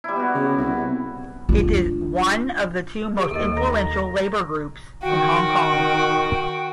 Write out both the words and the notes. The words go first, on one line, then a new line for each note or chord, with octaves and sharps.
It is one of the two most influential labour groups in Hong Kong.
G3 E4
B3 F#4
C#3
C2
D4 F4
G4 A4
D#2 A4 A#4 D#5
A#5
D#3 F#4 G5